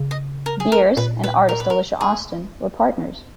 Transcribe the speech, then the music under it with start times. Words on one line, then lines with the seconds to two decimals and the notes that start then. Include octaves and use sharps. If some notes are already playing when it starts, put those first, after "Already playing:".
Beers and artist Alicia Austin were partners.
Already playing: C#3
0.11 D#5
0.46 A#4
0.60 G#4
0.72 A#4
0.97 A#2 B4
1.23 B4
1.49 A#4
1.60 B4
1.70 A#4
2.01 G#4